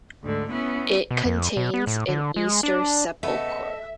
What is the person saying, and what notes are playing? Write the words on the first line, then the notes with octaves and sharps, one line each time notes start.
It contains an Easter Sepulchre.
D2 G#2 D3
B3 C#4 E4
B2
F2
B2
B3
A2
D3
G#3
D4
C#3 A3 B3 A4 D#5 E5